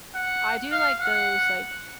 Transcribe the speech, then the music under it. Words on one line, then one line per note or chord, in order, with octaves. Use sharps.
I do like those, like,
F#5
F5
F#5